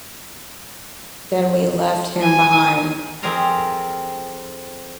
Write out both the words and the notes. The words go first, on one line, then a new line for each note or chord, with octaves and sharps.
Then we left him behind.
G#5
F2 C4 G#4 A#4 A#5 C6